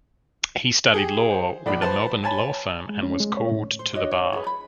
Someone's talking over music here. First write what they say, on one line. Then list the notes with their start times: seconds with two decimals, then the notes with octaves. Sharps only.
He studied law with a Melbourne law firm and was called to the bar.
0.93 G4 G#4
1.30 C5
1.66 A#1 D5 B5
1.82 B4 C5 A5
2.23 C#5 G#5 A5 B5
2.89 G#3
3.03 C#4
3.20 G#3
3.37 C#5
3.52 A2
3.79 C5
3.93 D4 F#4 C#5 D#5
4.11 C#5
4.33 G#4 A4 B4
4.47 B5